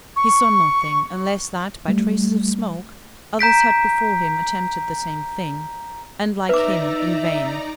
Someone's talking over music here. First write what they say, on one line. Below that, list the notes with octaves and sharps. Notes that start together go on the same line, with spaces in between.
He saw nothing, unless that, by traces of smoke, others had before him attempted the same thing, and, like him, in vain.
C#6
G3 A3
A#5 G6 B6 D7
D#4 B4 D5 E5 A#5 D6